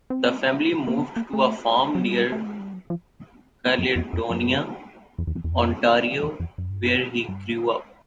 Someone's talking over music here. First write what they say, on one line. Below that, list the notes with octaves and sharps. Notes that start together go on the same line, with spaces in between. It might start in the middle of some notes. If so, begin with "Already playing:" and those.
The family moved to a farm near Caledonia, Ontario where he grew up.
C4
A#3
B3
A#3
A3
F#3
G3
A3
G#3
G3
F#3
F3
F#2
F2
F2
F#2
F2
E2
F2
E2
F2
E2
F2
F#2
G2
F#2
G2